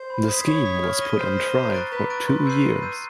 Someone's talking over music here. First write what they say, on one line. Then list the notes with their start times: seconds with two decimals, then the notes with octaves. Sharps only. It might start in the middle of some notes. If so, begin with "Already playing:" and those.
The Scheme was put on trial for two years.
Already playing: C5
0.10 B5
0.28 D#6 G#6 B6
0.40 C5
0.47 C#5 B5
0.65 D#6 G#6 B6
0.83 F6
1.01 A#6 D#7 G7
1.19 C5 F6
1.37 A#6 D#7 G7
1.55 A#5
1.74 C#6 F#6 A6 D7
1.92 B4 A#5
2.10 C#6 F#6 A6 D7
2.28 B4 C6
2.46 E6 G6 C7 D#7
2.65 C6
2.82 E6 G6 C7 D#7